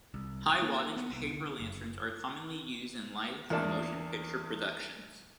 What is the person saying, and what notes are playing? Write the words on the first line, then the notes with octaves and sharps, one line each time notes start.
High-wattage paper lanterns are commonly used in lighting for motion picture productions.
C2
A#3
B3
C2
D3
F#1
E2 A#3 D4 A5